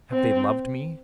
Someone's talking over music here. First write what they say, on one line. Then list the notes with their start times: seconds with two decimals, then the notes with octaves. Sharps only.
Have they loved me?
0.11 C4